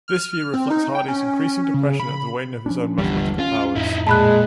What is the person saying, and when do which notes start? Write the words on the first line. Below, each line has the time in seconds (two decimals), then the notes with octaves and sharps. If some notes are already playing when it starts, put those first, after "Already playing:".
This view reflects Hardy's increasing depression at the wane of his own mathematical powers.
0.08 F6
0.54 C4
0.70 D#4
0.95 G5
1.08 C#4
1.74 C#3
2.00 B5
2.66 F3 C#4 D4
2.98 G1 D#2 D3 E3 G3
3.39 C#4 F4
3.76 F2 A2 D#4 E4
4.07 A#2 G#3 A5 B5 F#6